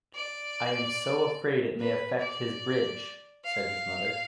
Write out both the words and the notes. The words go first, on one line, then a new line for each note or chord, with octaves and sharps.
"I am so afraid it may affect his bridge," said his mother.
D5
B4
D5
F5